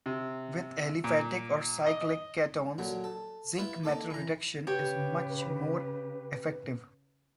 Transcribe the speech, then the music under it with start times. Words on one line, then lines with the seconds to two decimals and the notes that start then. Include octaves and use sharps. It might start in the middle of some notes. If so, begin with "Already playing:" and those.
With aliphatic or cyclic ketones, zinc metal reduction is much more effective.
0.06 C3
1.04 A#2
1.86 D#5
2.78 A#2 D3 F#3
3.04 A4
3.58 E4 F4 B4 E5
3.84 A#3 D#4 A4 D6
4.10 E3 A#5
4.67 C#3 G4 B4 C#5 G5